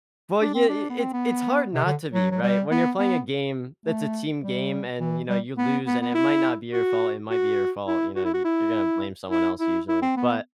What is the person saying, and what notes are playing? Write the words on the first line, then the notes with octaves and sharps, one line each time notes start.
Well, yeah, it it it's hard not to be right? When you're playing a game, that's a team game and, you know, you lose and it might not be your fault, it might be your fault. You know, you you're gonna blame someone else usually. But,
D4
C4
D4
B3
C4
B3
C3
D3
F#3
F#3
G3
B3
B3
A3
G3
E3
G3
B3
B3
B3
E4
F#4
F#4
E4
F#4
E4
F#4
E4
E4
E4
E4
C4
B3